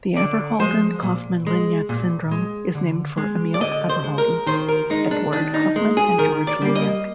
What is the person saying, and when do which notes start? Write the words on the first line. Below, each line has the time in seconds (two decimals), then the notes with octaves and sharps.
The Abderhalden-Kaufmann-Lignac syndrome is named for Emil Abderhalden, Eduard Kaufmann and George Lignac.
0.17 D3 D5
0.59 F3 G#3 C5
1.03 A#2
1.46 G#3
1.89 A#2
2.32 G#3
2.75 D3
3.18 G#3
3.54 D5
3.60 D3 D#5
3.89 C5
4.03 G#3
4.18 A#4
4.47 D#3 C5
4.69 A#4
4.90 G#3 D#4
5.11 D4
5.32 D#3 D4
5.54 D#4
5.76 G#3
5.97 G#4
6.18 D#3 A#4
6.47 D5
6.62 G3 A#3
6.76 D#5